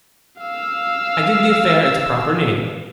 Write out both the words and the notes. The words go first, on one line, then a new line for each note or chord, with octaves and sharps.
I give the affair its proper name.
F5 E6